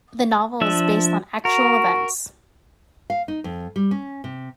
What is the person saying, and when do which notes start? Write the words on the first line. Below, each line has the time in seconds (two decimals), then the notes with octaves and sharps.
The novel is based on actual events.
0.61 F3 D4 E5
1.45 F#4 A#4
3.10 F5
3.28 D#4
3.44 F2
3.76 G3
3.91 C#4
4.24 C3